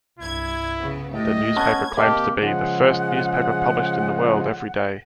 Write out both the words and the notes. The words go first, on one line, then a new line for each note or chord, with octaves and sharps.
The newspaper claims to be "The First Newspaper Published In The World Every Day".
C2 G2 E4 G#6
C#3 B3
D2 A2 G4 D#5
B3 C#4 A5 G#6
C3 A#3 G4 D#5 G5 A5
C#3 F3 G#3 F#5